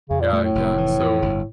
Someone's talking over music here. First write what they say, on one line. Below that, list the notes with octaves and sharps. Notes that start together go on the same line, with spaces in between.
Yeah, yeah, so,
F2 C#3
A#2
A#2 A3
A2
F1
E3
F2
G1